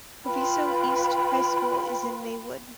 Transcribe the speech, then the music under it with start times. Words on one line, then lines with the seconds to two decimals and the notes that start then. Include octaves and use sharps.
Proviso East High School is in Maywood.
0.25 F4 B4 G5 B5